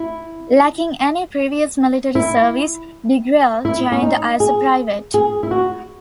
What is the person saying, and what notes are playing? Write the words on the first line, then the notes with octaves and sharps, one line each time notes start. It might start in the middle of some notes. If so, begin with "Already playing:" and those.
Lacking any previous military service Degrelle joined as a private.
Already playing: E4
E4
E4
C#4
D#4
G#4
G#4
E4
F#4